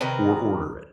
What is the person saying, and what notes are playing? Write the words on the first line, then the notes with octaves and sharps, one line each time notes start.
or order it.
C3 D#3 A#4 B4